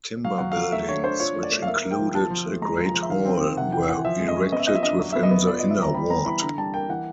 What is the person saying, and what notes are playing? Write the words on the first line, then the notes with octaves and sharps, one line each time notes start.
Timber buildings, which included a great hall, were erected within the inner ward.
F#3 F5
F#3 F#5
F#3 F5
A3 E5
D4 C#5
D4 C5
F4 C#5
A3
D5
A3
F5
A#3 E5
A#3
G5
F3
F3 A5
F3
A3
G#3 A#5
F4
A#5
F3
E5
D#3 F5
C4
D#3
C3 F#5
E3 G5
E3 F#5
F3 E5
G#3
D#5
C#4
B3 D#5
E5
F4 D#5
E5
D4 D#5
F#3 E5
B3 E5
D#5
B3
F4 D5
F4 D#5
E5
G3 A#5
G3 B5
B3 A#5
E3 B5
D3 A#5
G3 A5
A#3 G5
E3 F#5